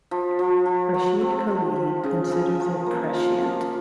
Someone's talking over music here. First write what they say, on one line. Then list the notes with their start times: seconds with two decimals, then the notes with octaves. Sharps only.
Rashid Khalidi considers it "prescient".
0.11 F3
0.39 F3
0.66 F3
0.94 F3
1.21 C4
1.48 F3
1.76 F3
2.04 C#3
2.32 C#3
2.60 F3
2.86 A#3
3.14 F4
3.43 F3